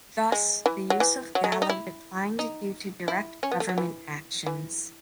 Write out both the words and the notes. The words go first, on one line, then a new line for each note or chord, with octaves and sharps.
Thus, the use of Gallo declined due to direct government actions.
G#3
E3
F#3
E3
F#3
G#3
A3
D#4
E4
D#4
E4
C#4
B3
A3
F#3
E3
E3